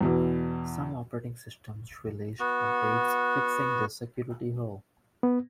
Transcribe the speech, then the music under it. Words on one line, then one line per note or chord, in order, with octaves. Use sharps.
Some operating systems released updates fixing this security hole.
E2 B2 E3
B3 F#4
B3